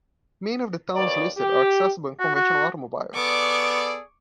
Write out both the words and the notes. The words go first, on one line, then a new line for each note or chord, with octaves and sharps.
Many of the towns listed are accessible in conventional automobiles.
D#2 B4 C#5 D5
G4
F#4
F#4
B3 G#4 A4 D5 C#6 D6